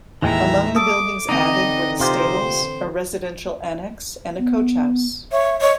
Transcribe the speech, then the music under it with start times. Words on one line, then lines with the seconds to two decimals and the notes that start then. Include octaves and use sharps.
Among the buildings added were the stables, a residential annex and a coach house.
0.22 D#2 A2 E3 G#3 E5 G5 A#5
0.76 A4 D6 D#6
1.29 D3 E3 C4 D#4 D#5
2.00 C3 F4 G4 C5
4.39 B3
5.32 C#5 E5
5.61 C#5 D#5